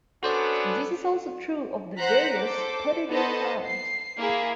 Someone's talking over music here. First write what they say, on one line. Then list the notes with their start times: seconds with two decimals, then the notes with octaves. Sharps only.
This is also true of the various pottery found.
0.23 B3 C#4 D4 F#4 A4 C5 D5
1.97 C5 F#5 A#5 F#6 B6
2.36 A4 C5 D6
3.08 B3 A4 C5 D#5 A5
3.65 C7
4.18 A#3 E4 G#4